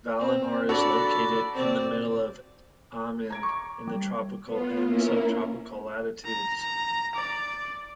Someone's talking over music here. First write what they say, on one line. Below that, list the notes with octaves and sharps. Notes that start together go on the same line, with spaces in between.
Valinor is located in the middle of Aman, in the tropical and subtropical latitudes.
C4
D4 F#4 A4 D5 B5
C4 D5
A#5 G#6 D7
C#6 D6 C#7
G3
B3 F4
A#3 C#4 E4 A#4
A#5
A#5
D5